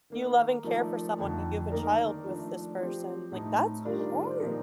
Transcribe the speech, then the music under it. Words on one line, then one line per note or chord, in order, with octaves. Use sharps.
you love and care for someone and you have a child with this person, like, that's hard.
D#3 A#3 D#4
F3 A3 D#4 A#4 D5
F2 D3 A3 D#4
D#3 A#3 D#4 A#4 D5
F3 A3 D4
F3 C4 G4
A2 A3 D#4
D#3 G3 D4 F4 A#4
A#2 F3 C4 D#4 A#4